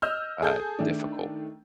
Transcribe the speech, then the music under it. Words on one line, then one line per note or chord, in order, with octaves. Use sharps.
uh, difficult.
D#5 E6 F6 G6
G#4 A4 G6
D#3 A3 D4